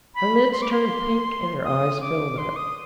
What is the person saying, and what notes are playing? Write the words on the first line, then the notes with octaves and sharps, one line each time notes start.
Her lids turned pink and her eyes filled up.
B5
C6
D6
C6
D#6
D6
C6
D#6